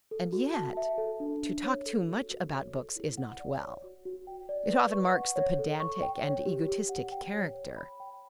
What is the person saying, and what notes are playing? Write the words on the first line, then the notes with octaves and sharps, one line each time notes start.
And yet, to talk too much about books is not well; it often marks the pedantic and egotistic character.
A4
F#4
A5
E5
A4
D4
D4
C#5
A4
F#4
F#4
C#5
A4
E4
F#5
D5
C#5
F#4
F#4
G5
D5
B4
C#6
F#5
C#5
A4
C#6
G5
C#5
G4
G4
F#5
G5
C#5
C#5
B5
G5